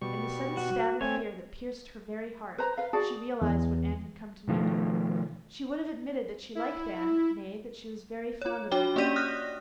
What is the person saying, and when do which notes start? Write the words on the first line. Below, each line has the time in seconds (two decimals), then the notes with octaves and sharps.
In the sudden stab of fear that pierced her very heart she realized what Anne had come to mean to her. She would have admitted that she liked Anne--nay, that she was very fond of Anne.
0.01 B2 G3 C#6
0.57 F#4
1.01 A3 C4 C#5 G#5
2.58 B4 C5 A#5
2.77 B4 F5
2.93 F#4 G#4 D5 A5
3.42 E2
4.48 B2 D#3 F3 A3
6.55 E4
8.42 F4 C#5
8.71 D4 F#4 C#5 G5 D6 G7
8.96 A#3 C#4 G4 D5 B6 D#7
9.16 D#6 F6 F#6 A#6